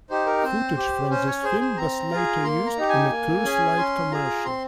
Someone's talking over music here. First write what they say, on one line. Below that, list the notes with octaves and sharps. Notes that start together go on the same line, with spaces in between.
Footage from this film was later used in a Coors Light commercial.
D#4 G4 C5
A#4
C4 C5
G4
C#4 C5
C#5
G#4 C5
C5
C4 A#5
F4 G#4
A#3 C6
A#5
D#4 G4
G#5
A#3
C#4 G#4
C#4 C6
F4 G#4 A#5
C4 C6